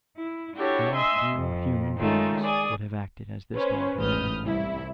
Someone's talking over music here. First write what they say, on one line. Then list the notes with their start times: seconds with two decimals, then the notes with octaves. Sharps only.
How few human beings would have acted as this dog had done!
0.17 E4
0.55 D4 E4 F#4 G4 A4 C#5
0.95 D#5 E5 G#5 C6 E6
1.33 F2
1.98 D#3 G#3 A3 C#4 D#4 F4
2.42 G#4 D5 G#5 D#6
3.54 C#4 B4 C5
3.99 A1 G#2 B4 D#6 F6 G6
4.43 C2 E4